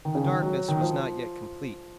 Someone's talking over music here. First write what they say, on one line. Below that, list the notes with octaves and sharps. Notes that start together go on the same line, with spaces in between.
The darkness was not yet complete.
D#3
C#3
D#3
F#3
D#3
F3